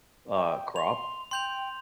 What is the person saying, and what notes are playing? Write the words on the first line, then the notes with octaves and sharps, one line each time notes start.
uh, crop,
G5
C6 F7
G5 C6 G6 F7